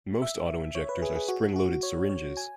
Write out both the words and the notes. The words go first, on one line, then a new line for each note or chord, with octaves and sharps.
Most autoinjectors are spring-loaded syringes.
E5
C#5
B4
G#4
G#4
F#4
F#4
C#5
C#5
G#5